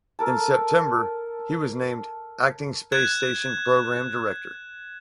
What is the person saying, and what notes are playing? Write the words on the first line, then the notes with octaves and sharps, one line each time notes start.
In September, he was named Acting Space Station Program Director.
A4 A#4 A5
F#6 G#6 E7